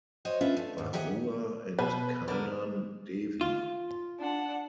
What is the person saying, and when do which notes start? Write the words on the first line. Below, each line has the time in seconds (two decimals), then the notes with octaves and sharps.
Barua and Kanan Devi.
0.25 F#4 C5 C#5 D#5
0.41 C#4 D4 F4 B4 E5
0.57 A3
0.78 G#2
0.93 D#3 G4 G#4 E5 F#5
1.79 B2 B4
2.28 D3 A#4
3.41 F4
4.19 D4 F#5